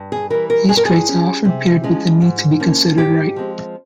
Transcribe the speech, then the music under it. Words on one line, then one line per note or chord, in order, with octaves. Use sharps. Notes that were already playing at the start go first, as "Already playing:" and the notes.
These traits are often paired with the need to be considered "right".
Already playing: G2
G#4
E3 G3 A#4
A#4
G2 G#4
A#4
G#4
G3 C#4
C3
F3 G#3 C#4
G#2
F3 A#3 C#4
G#2 G4
F3 G#3 C4